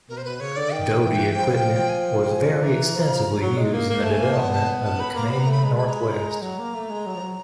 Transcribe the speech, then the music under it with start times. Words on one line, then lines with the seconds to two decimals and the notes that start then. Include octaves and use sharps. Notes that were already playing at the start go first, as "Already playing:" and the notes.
Doty equipment was very extensively used in the development of the Canadian North West.
0.09 B2 A#4
0.17 C5
0.24 B2 B4
0.40 C#3 C#5
0.56 D3 D5
0.72 D#3 G5
1.04 E3
1.36 F3
1.89 G#5
1.99 G5
2.20 G5
2.31 G#5
2.62 E3 A#5
2.95 F3
3.42 F#3
3.57 G#3
3.73 A#3
3.90 A#3
4.03 A3 A5
4.11 G#5
4.21 A#3
4.32 B3 A5
4.52 A5
4.84 A5
5.00 B5
5.16 A#3 A#5
5.28 B3 B5
5.40 A#5
5.47 A3 B5
5.63 G#3 A#5
5.75 B5
5.88 A#5
6.00 B5
6.11 A#5
6.42 F#3 A#5
6.59 A#3
6.75 A3
6.89 G#3
7.06 F#3
7.15 F3
7.21 F#3